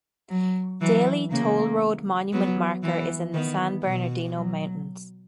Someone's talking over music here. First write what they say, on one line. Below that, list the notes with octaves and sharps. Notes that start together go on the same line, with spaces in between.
Daley Toll Road Monument marker is in the San Bernardino Mountains.
F#3
E3 F#3
C#3 A#3
F#3 B3
E3 B3
D#3 B3
B2
F#3